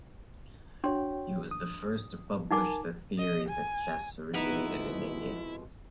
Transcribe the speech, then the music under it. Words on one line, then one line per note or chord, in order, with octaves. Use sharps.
He was the first to publish the theory that chess originated in India.
D4 F#4 C#5 G5 C6
D#6
D#4 A#4 F#5 G#5 A5 D6
D#5
G#5
F2 B2 G#3 B3 D#4 E4 B4 A#5